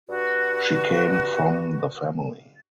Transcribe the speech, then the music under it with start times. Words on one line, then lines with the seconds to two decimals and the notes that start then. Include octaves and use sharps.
She came from the family.
0.09 G2 F#4